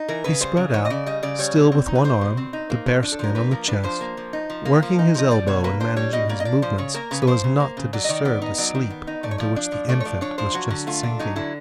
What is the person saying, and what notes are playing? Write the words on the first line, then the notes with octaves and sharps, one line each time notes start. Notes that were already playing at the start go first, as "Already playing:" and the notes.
He spread out, still with one arm, the bear-skin on the chest, working his elbow and managing his movements so as not to disturb the sleep into which the infant was just sinking.
Already playing: D#4
E3 A#4
C#3 B4
G3 C5
C#3
E3 C#5
D#5
C#3 D5
G3 D#5
C#3 D5
G3 C#5
B2
C4
D#4
B4
G3 C5
B2
C4
D#4
A#3
F3
D4
A4
F3 A#4
A#3 B4
F3 A#4
D4 B4
F3 C5
A#3
F3
D#4
F3
A#3
F3
D#4
F3 D#5
G3 D5
B2 C#5
A#3 B4
D4 C5
G3 C#5
B2 D#5
A#3 D5
D#5
D4 D5
F3 C5
C#3 C#5
A#3 A#4
C#3 B4
B4
F3 C5
C#3
A#3
C#3
F#3 D5
D#5
D#3 D5
B3 D5
D#4 D#5
F#3 D5
D#3
B3
D#4
A3 D5
C#5
F3 D5
D4 D5
F3
A3 D5
C#5
F3 D5
D4 C#5
F3 C5
F#3 F#4
D3
A3 F4
D4
F#3 D#4
D3 E4